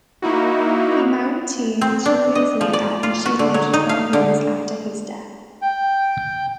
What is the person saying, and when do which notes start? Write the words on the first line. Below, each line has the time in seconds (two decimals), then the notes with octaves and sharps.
He married Tiye two years later and she lived twelve years after his death.
0.22 A#3 D#4 E4 F#4
1.81 C4
2.06 D4
2.35 D#5
2.61 F3
2.73 D5
3.03 F4
3.26 F#4
3.39 D3
3.54 F#3
3.74 D#4
3.89 F5
4.13 D3
5.62 G5